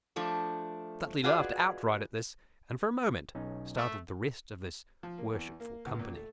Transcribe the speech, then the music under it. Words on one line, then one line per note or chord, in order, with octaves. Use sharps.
Stuteley laughed outright at this, and for a moment startled the rest of this worshipful company.
F3 A3 D4
F4 F#4 G#4 B4 D5 D#5
B1 C#4 D#4
A3
F3
A#3
E2
A#3
C#2
A#2
A3